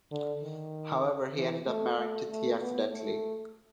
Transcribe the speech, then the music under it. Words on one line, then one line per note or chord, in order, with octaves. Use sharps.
However he ends up marrying Tithi accidentally.
D3
D#3
E3
A3
A3
A3
B3
A3